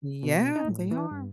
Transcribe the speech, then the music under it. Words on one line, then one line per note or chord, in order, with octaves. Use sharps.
Yeah, they are,
B2
D#4
A2
E3
G2